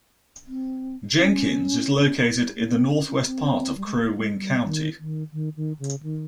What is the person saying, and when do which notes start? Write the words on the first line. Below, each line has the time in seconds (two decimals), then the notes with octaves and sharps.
Jenkins is located in the northwest part of Crow Wing County.
0.47 C4
1.17 C#4
2.56 A#3
2.73 C4
2.91 C#4
3.08 C#4
3.25 C4
3.77 G3
3.86 G#3
3.95 A#3
4.18 G#3
4.41 G3
4.64 D#3
4.99 D#3
5.33 D#3
5.57 D#3
5.79 C#3
6.03 D#3